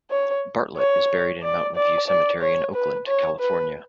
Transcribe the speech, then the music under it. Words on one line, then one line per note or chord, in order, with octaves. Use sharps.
Bartlett is buried in Mountain View Cemetery in Oakland, California.
C#5
C#5
D5
D5
D5
C#5
B4
C#5
B4